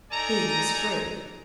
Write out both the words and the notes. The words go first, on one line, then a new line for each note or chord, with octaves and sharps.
He was free.
D#4 A4 D5 G#5 A#5